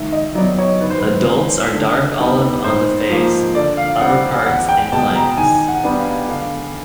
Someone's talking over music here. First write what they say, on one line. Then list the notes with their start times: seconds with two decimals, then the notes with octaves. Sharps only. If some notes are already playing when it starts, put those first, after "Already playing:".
Adults are dark olive on the face, upperparts and flanks.
Already playing: D#3 E5
0.12 D#5
0.35 F#3 B3 D5
0.59 C#5
0.81 D#3 B4
0.90 C5
0.98 B4
1.27 G#3 C4
1.73 D3
2.18 G3 B3 D#4
2.64 G#2 C5
3.10 F3 A#3
3.55 D3 D5
3.77 F5
4.01 G3 C4 F#5
4.46 E2 F#5
4.69 G5
4.92 B2 G#3 A5
5.15 A#5
5.37 D#3 G#5
5.68 F#5
5.84 G3 B3 D4
5.98 F5
6.28 D3 F5